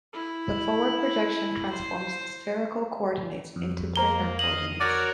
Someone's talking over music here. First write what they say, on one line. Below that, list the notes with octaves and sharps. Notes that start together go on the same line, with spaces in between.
The forward projection transforms spherical coordinates into planar coordinates.
E4
C5
F2
A#3 C5 A#5 G7
D#5 F5 D#6 F#7
F#4 A#4 C#5 D5